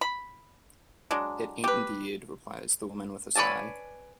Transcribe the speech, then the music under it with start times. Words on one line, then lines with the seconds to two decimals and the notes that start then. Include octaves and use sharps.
"It ain't indeed," replies the woman with a sigh.
0.01 B5
1.11 F#3 G#3 D4
1.64 G4 B4
3.35 B4 C#5 D5 G#5 A5